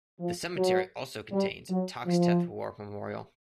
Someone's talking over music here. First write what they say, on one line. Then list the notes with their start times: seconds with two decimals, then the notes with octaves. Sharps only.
The cemetery also contains Toxteth War Memorial.
0.20 F3
0.56 F#3
1.32 G3
1.70 F#3
2.07 F3